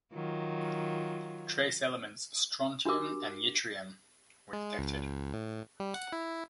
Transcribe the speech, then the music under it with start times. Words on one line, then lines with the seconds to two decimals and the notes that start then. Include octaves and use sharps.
Trace elements, strontium and yttrium, were detected.
0.14 D#3 F#3 F4
2.85 D4 F#4 G4 A#4 D6
4.53 G#3
4.79 C#2
5.34 A2
5.80 G3
5.94 F#5
6.13 E4